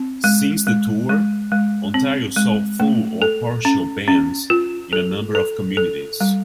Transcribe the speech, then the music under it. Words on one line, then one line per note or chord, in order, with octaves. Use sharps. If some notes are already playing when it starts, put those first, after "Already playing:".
Since the tour, Ontario saw full or partial bans in a number of communities.
Already playing: C4
G#3
G#3
G#3
G#3
C4
G#3
A3
A4
C#4
C#4
F4
A4
A4
A4
G3